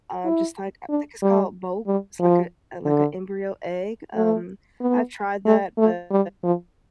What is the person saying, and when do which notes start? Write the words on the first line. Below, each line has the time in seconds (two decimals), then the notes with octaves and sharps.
um, just like, I think it's called boke, it's like a, like a embryo egg, um, I've tried that, but
0.24 E4
0.89 D4
1.22 G3
1.87 G3
2.20 F3
2.85 D3
4.15 A3
4.80 B3
5.45 A3
5.78 A3
6.11 G3
6.43 F3